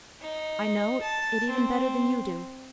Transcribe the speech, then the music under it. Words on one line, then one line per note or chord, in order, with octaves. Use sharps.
I know it even better than you do.
D#4
A5
C4